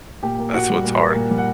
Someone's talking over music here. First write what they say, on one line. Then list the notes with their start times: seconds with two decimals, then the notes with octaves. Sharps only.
That's what's hard.
0.23 A#2 G4 G5
0.39 A#3
0.54 A#2 F#4 F#5
0.70 G3
0.85 A#2
0.99 A#3
1.15 A#2
1.31 G3
1.38 F#5